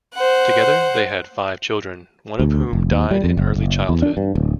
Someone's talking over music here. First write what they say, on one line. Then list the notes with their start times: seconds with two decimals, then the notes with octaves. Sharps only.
Together, they had five children, one of whom died in early childhood.
0.14 C5 F#5
2.39 D2
2.73 F1
2.91 D#2
3.11 G3
3.24 F2
3.37 F#1
3.56 F#1
3.89 E2
4.02 D4
4.17 G2
4.35 D1